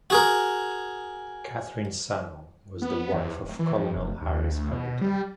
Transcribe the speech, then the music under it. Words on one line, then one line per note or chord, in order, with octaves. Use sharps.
Katherine Sanno was the wife of Colonel Harris Pendleton.
F#4 G#4 A#4
B3
E2
D1
E3
F2
F1
D#2
D2
B2
G3